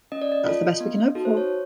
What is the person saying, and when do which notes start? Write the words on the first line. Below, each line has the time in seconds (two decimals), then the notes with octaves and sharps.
That's the best we can hope for.
0.12 C#4 D#5
0.22 D5
0.32 D#5
0.46 F4 A4
0.80 B3
1.15 D#4 F#4 A4
1.25 C5
1.37 C#5